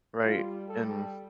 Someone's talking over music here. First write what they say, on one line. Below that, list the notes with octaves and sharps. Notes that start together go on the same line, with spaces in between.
right? And
G3 F4
G3 A4